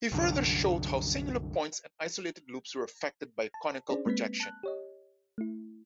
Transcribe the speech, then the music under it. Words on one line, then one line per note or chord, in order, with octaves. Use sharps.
He further showed how singular points and isolated loops were affected by conical projection.
C2 F#2 D3
A5
C#4 D4 G#4 C5 D5
G#3 A#3 C4 B4 B6
A5 F#6
G4 C#5 D#5
A3 E4